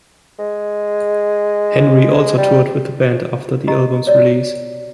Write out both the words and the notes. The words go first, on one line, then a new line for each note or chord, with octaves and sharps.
Henry also toured with the band after the album's release.
G#3
G3
G4 D#5 A#5
C#5 D5